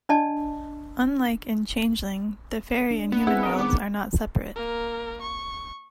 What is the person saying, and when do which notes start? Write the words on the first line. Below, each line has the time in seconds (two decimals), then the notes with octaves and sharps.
Unlike in Changeling, the faerie and human worlds are not separate.
0.09 D4 D5 D#5 A5
2.91 D4
3.12 B3
3.27 C4 E4 G#4 F#5
3.43 A#4 D#5
3.59 D#3 B3 D6
4.56 A#3 A#4
5.21 C#6